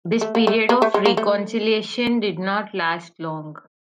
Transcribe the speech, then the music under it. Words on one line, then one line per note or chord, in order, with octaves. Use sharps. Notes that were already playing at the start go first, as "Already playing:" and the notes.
This period of reconciliation did not last long.
A3
A#3
A3
A#3
A3
G#3
A#3
A3